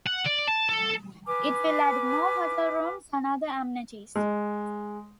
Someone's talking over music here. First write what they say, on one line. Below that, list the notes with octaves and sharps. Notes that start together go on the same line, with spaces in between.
It will add more hotel rooms, and other amenities.
F#5
D5
A5
A4
B4 G#5 D6 F6
G#3